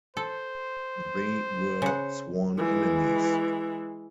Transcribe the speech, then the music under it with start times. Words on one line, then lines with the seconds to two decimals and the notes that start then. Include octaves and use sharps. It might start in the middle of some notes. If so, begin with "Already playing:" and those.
They were sworn enemies.
0.17 A4 C5
1.82 C#3 F#5
2.57 E3 G#3